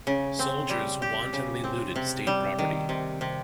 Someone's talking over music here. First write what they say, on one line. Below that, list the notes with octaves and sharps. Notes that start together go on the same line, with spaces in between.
Soldiers wantonly looted state property.
C#3
C4
G3
G4
C#3
C4
C3
G3
D#3
C3
C3